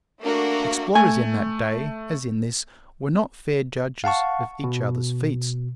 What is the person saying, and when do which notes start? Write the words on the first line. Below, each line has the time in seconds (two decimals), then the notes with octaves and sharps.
Explorers in that day, as in this, were not fair judges of each other's feats.
0.23 A3 A#3 D4 F#4 A#4
0.95 A3 G#5
4.04 F5 F#5 A5 C#6
4.64 B2